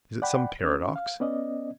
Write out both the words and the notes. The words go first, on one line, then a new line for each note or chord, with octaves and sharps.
Is it some paradox?
D5 F#5 G5 B5
C#4
F5
B3 C#4 D5 D#5